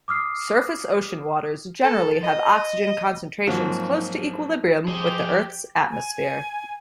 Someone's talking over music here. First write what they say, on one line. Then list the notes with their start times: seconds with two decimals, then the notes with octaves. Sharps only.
Surface ocean waters generally have oxygen concentrations close to equilibrium with the Earth's atmosphere.
0.08 D6 D#6 F6 C7
1.83 A4
2.24 D#5
3.47 G#2 F3 F#3 A#3 C4
4.88 F3 G4 G#4 C5 D#5
5.90 G#5